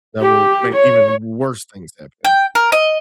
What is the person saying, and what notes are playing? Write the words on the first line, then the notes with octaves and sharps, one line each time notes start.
that will make even worse things happen
G4
C#5
G5
A#4
D#5